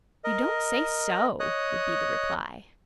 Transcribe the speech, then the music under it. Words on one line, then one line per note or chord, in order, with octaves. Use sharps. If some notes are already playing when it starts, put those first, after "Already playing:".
"You don't say so," would be the reply.
A#4 D#5
C#5 D#5 D#6 F#6